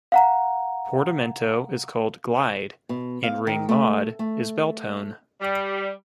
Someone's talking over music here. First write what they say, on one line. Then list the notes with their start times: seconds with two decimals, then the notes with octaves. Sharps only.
Portamento is called "Glide" and Ring Mod is "Bell Tone".
0.12 F5 F#5 A#5
2.89 B2
3.23 F5
3.47 D#3
3.69 A3
4.19 A3
5.41 G3